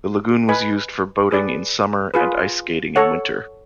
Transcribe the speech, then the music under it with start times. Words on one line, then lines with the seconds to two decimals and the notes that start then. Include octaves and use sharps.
The lagoon was used for boating in summer and ice skating in winter.
0.49 B4 D#5 G#5 B5
1.31 G#4 B4 D5
2.14 F4 G#4 B4
2.96 A4 C#5 F#5